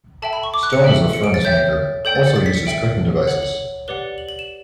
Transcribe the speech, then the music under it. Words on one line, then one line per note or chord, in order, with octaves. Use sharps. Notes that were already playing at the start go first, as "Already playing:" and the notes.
Stone is a furnace maker, also used as cooking devices.
A4 E5 G5 A5
B5
C#6
D6
F#6
C#7
A4 E5 G5
C#7
D7
A6
C#5 E5 G5 G6
A4 D5 G5 G6
A6
C#7
A6
B6
C#7
A4 E5 G5 D7
C#5 F#5 F#7
F#7
G4 B4 D5 F#5 G7
F#7
F#7
E7